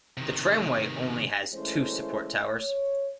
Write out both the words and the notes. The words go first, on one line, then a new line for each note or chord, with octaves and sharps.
The tramway only has two support towers.
C3 D#3
E3 G#3 A3 C#4 E4 C5
C#5